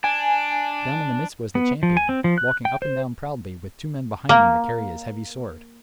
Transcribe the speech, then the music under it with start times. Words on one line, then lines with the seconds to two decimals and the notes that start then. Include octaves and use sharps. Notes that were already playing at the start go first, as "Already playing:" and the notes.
Down in the midst was the champion, walking up and down proudly, with two men behind him to carry his heavy sword.
0.04 D4 G#5
1.55 B3
1.83 F3
1.97 G#5
2.09 C4
2.24 F3
2.38 F#6
2.65 G5
2.82 C5
4.29 A#3